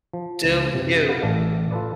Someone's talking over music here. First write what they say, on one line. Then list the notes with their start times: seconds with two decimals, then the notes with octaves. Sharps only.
do you.
0.13 F3
0.44 C#2
0.72 F#2 C3
1.08 B4 F5 F#5
1.21 A1 A4 D5 E5 F5
1.71 F4 A4 B4 D5